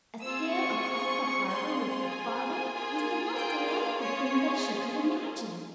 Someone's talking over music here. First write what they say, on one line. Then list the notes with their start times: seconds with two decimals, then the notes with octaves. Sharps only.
A sail across the harbor with her father was the most delightful thing that she could imagine.
0.22 C4 F4 G#4 E6
0.54 C#6
1.48 C4 F4 G#4 C6
2.11 G#5
2.74 A#3 F4 G#4
3.37 G5
3.68 F5
3.99 C#4 F4 G#4 C#5
4.62 C5